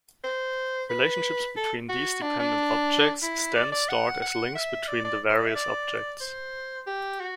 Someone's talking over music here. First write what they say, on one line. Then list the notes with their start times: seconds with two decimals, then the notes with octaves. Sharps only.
Relationships between these dependent objects is then stored as links between the various objects.
0.24 C5
0.90 B4
1.57 A4
1.89 F#4
2.22 D4
2.39 D4
3.23 E4
3.56 D5
3.72 D5
3.89 F#5
4.22 F#5
4.55 E5
4.88 D5
5.05 D5
5.29 C5
5.38 D5
5.47 E5
5.55 D5
6.21 C5
6.87 G4
7.20 F#4